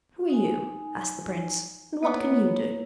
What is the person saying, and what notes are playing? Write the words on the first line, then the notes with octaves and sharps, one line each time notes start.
'Who are you?' asked the prince, 'and what can you do?'
D#4 G#5
A#3 B3 E4 C#5